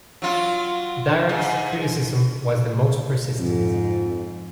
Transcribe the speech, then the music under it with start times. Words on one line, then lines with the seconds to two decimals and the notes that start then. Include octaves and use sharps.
Dirac's criticism was the most persistent.
0.22 F#3 F4
1.29 G#2
3.38 F2 G#2